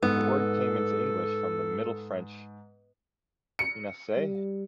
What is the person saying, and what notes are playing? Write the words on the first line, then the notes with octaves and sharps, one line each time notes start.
The word came into English from the Middle French "pinasse".
G#2 B3 A4
C#7
G3